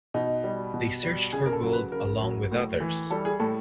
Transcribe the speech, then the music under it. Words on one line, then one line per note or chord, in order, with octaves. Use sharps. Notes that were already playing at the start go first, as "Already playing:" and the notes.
They searched for gold along with others.
B2 D#4
G3
B2
G3
C#3 G#4
A#4
A4
F#3
B4
C#3 A#4
F#3
A2
E3
G3 A4
G#4
A2 A4